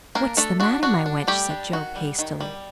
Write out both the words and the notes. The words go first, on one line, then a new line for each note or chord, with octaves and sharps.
"What's the matter, my wench?" said Job, hastily.
A#3 D4 A#4
A3 D4 A4
D4 F#4
D4 F#4
D4
G3 A3 G4
D4
D#3 F#4
G3
D#3
G3